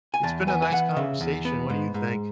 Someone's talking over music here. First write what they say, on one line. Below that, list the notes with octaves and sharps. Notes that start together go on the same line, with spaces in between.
It's been a nice conversation, what do you think?
G#5
E2 A5
B3 G#5
G#5
E3 F#5
C#3 E5
E2
B3
G#2
G#2